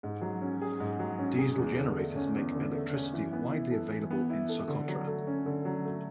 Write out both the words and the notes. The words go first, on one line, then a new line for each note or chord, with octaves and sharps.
Diesel generators make electricity widely available in Socotra.
G#2
F#3
C#4
G#4
G#2
F#3
C#4
G#4
E2
D3
A3
C#4
E2
D3
A3
C#4
E3
B3
E4
A4
E3
B3
E4
A4
D3
F#3
A3
C#4
D3
F#3
A3